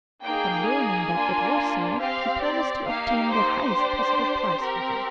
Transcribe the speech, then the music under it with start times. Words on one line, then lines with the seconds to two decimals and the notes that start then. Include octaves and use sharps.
On learning that it was so, he promised to obtain the highest possible price for her.
0.24 A#3 D#4 G#4 G5
0.67 G#5
1.12 A#3 D4 F4
1.98 C4 G4 F5
2.42 D5
2.86 A#3 D#4 G4 F5
3.30 C5
3.73 D4 G4
4.60 C4 G4 A#4